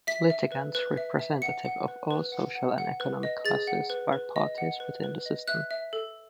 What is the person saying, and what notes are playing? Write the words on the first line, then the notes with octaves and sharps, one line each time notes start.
Litigants representative of all social and economic classes are parties within the system.
E5 B6
E5
B4
B4
E5
E5
F#5 C#7
F#5
B4
B4
F#5
F#5
F#5
B4
D#5
G#4 A6
F#5
B4
B4
D#5
F#5
B4
B4
D#5
E5 F#6
E5
A4